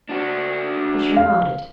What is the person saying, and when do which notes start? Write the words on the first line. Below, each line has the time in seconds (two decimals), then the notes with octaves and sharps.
Fisher nodded.
0.10 D4 F#4
1.16 F5